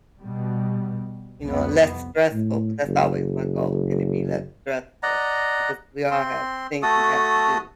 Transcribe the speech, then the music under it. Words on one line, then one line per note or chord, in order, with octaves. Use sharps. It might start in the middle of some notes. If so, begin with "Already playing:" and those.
you know, less stressful. But, that's always my goal, "Can it be less stressful?" Because we all have things we have to do.
B2 G3
C2 F2 B3
A2
F#1
D5 D#5 F#5 A#5
C4 C6
A3 F#4 A4 D#6